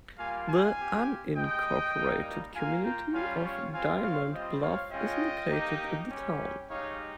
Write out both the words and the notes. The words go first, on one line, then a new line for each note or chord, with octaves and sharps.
The unincorporated community of Diamond Bluff is located in the town.
G3 A#3 F4 F5 G#5
F5 G#5
C4 G4
G#3 D#4 G4 D#5 G5
G3 A#3 D#4
A#3 F4 F5 G#5
G5 A#5
G3 C#4 F4 F5 G#5
C#5 F5
G3 C4 F4 F5 G#5
C#5 F5
G3 C4 F4 C5 D#5
C#5 F5
G#3 C#4 F4 D#5 G5
A#3 D#4 G4
G3 C#4 G4
G#3 D#4 G4 C#5 F5